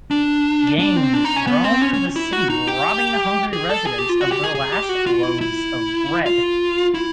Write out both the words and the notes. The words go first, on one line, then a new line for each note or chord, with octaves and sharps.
Gangs roam the city robbing the hungry residents of their last loaves of bread.
D4
D4
C4
D4
D#4
C#4
B3
C4
C#4
C#4
E4
F#4
D#4
G4
G#4
A4
G#4
G4
F4
F#4
G4
G#4
G#4
G4
F#4
F4
E4
E4
F4
E4